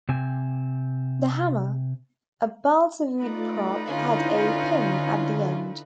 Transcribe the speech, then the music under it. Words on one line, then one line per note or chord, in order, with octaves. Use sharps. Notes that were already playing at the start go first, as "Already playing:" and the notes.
The hammer, a balsa-wood prop, had a pin at the end.
C3 C4 G#5
A3 D#4 F4 B4 D5
D3 C#4 D4 E4 F4